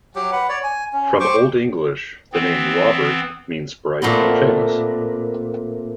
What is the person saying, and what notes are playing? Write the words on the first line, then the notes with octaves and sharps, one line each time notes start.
From old English, the name "Robert" means bright and famous.
F#3 G4
B4 F#5
C#5 D5
G#5
C#4
G4 C5 C#6 D6
E3 B3 C4
A#2 A3 B3 C4